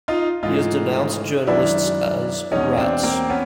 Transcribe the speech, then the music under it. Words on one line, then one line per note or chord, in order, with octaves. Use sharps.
He has denounced journalists as "rats".
D#4 F4
G#2 E3 A3 D#4 F4
F#2 D#3 G#3 D4 E4
E2 B2 G#3 C#4 D#4
C4 D4
A#3 C4
B3 C#4